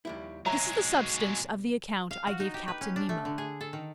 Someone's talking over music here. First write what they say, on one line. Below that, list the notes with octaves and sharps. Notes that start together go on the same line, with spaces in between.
This is the substance of the account I gave Captain Nemo.
D#2 G3 E4
B1 F#3 G#3 C#5 E5 A#5
F5
F#4
D#4
G4
B4
C#4
D4
A3
D3
G#4
A4
D#3